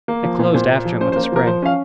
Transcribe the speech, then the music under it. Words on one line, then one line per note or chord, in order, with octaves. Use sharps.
It closed after him with a spring.
A#3
F3
A#2
A#2 C5
A#3
F3
C#4 C5
C5
A#3
C5
F3 A#4
F3 C5
C#4 F5